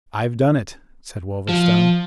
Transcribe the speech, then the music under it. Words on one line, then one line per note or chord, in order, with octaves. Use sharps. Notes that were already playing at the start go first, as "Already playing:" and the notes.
"I've done it," said Wolverstone.
F3